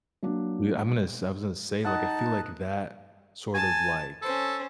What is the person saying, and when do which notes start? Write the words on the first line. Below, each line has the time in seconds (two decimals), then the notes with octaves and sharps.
Yeah, I'm gonna s I was gonna say, like, I feel like that sort of, like,
0.23 F#3 A#3 D4 F#4
1.85 D#4 D#5 F#5 A5
3.54 G#5 A5
4.22 C#4 A4 C5